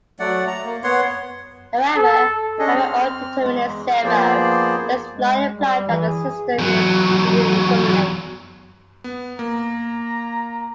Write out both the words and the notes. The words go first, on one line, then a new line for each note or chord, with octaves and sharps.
However, having all determinants zero does not imply that the system is indeterminate.
F#3 A3 D5 F#5
A#5
A#3
B3 C#5 F#5 C6
A4
C#4 D4 G#4 A4 D#5
C4 F6
E2 G#3
F3 A#3 B3 G#4 C5 D5
G#3
G3
E3
G#4
E2 F#3
B3
A#3 A#5